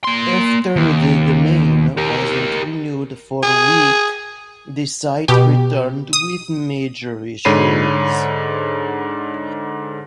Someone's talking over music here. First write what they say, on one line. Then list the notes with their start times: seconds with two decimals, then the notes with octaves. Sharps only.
After the domain wasn't renewed for a week, the site returned with major issues.
0.04 A#3 C6
0.76 D#2
1.97 G4 A#4
3.43 G#4
5.28 B2 G4
6.13 D#6
7.45 G#2 D3 C#5 B5 C7 D#7